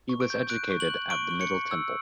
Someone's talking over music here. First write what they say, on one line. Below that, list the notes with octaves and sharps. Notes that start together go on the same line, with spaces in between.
He was educated at the Middle Temple.
C#6
D7
G6
F#6 D7
C#6
F#7
F#6
C#6 D7
C#6
C#7
C#6
E6